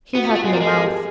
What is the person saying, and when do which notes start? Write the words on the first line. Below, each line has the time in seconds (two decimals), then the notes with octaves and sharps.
He had no mouth.
0.15 B3 F#4
0.25 B3
0.29 F4
0.35 A3
0.41 F#4
0.45 G#3
0.53 G3 A#4
0.61 G#3 A4
0.75 G#4
0.84 G4
0.95 G#4